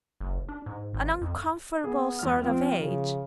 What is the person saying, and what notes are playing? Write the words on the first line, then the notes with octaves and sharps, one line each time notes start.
'An uncomfortable sort of age.
F#1
D4
G#2
G#1
F2
B3 G#4
E2 F6
F3 C4
C#3